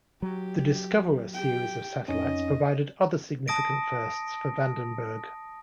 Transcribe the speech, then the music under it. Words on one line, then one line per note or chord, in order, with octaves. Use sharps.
The Discoverer series of satellites provided other significant firsts for Vandenberg.
F#3 G4
G4 G5
F2 C#4 D#4 D#5
A5 D#6 A#6 D7